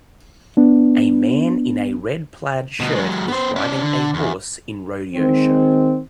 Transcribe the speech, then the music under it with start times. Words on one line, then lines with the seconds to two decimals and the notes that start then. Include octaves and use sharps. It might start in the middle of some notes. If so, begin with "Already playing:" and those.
A man in a red plaid shirt is riding a horse in rodeo show.
0.57 B3 D4
2.80 D2 B2
2.95 F#3 G#3
3.28 B3 C5
3.56 C#4 D5
3.82 D3
4.14 E2
5.15 D#3 G#3 C4